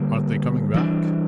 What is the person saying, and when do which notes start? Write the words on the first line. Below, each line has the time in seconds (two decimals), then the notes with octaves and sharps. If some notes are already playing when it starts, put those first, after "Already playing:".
"Aren't they coming back?"
Already playing: D3 G3 A#3
0.74 E3 G3 B3 D4